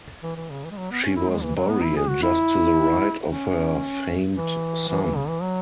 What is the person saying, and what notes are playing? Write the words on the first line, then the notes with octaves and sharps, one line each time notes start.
She was buried just to the right of her famed son.
E3
E3
C#3
E3
G#3
F#3
B3
C#4
E4
G#3
E3
F#3
B3
E4
G#4
F#4
E4
C#4
E3
E3
E3
C#3
E3
F#3